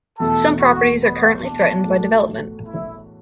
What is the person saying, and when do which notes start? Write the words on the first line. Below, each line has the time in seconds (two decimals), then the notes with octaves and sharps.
Some properties are currently threatened by development.
0.19 E2 B2 A3 E4 A4
0.60 F#4
1.02 B3
1.44 D4
1.85 A2 A3 F#4
2.67 E4